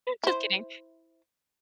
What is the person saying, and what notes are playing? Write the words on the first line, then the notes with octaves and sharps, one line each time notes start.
Just kidding.
E4 C5